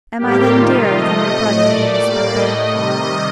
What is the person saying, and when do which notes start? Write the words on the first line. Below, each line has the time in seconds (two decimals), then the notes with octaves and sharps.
"Am I then dearer than your brother?" he whispered back.
0.18 A2 G3 A#3 G4
0.54 C3 D#3 G3 F4
0.91 C3 F3 A3 D#5
1.28 A2 A3
1.63 A#2 A3 D5
2.00 A2 G3 A#3
2.36 A2 A3 D#5
2.72 C3 D#3 G3